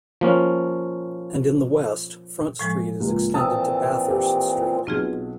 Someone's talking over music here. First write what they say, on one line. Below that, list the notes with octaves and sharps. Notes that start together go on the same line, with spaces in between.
And in the west, Front Street is extended to Bathurst Street.
F3 A#3 C#4
A2 F3 G#3
C#2 A#2
A#2 E3 C4 A5 D#6 E6
G4
F4
B1 B2 C4 F4 G#4